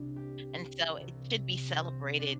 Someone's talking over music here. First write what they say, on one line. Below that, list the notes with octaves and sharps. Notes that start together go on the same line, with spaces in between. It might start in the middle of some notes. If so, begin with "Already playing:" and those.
And so it should be celebrated
Already playing: C2 C3 D4
G4
C2 C3
C4
D4